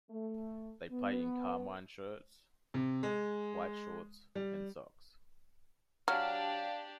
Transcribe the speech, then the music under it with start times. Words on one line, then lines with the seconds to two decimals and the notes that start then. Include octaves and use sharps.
They play in carmine shirts, white shorts and socks.
0.11 A3
0.91 B3
2.74 C3
3.03 G#3
4.35 G3
6.08 F#3 D4 G4 F5 F6